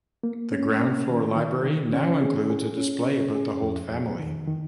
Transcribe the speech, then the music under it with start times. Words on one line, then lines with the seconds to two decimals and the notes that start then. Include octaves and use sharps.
The ground floor library now includes a display about the Holt family.
0.23 A#3
0.52 C#4
0.80 A#3
1.09 D#3
1.36 D#3
1.65 D#3
1.93 C#4
2.21 G#4
2.50 G#4
2.78 C#4
3.06 C#4
3.35 G#4
3.62 F2
3.90 F2
4.19 D#3
4.47 D#3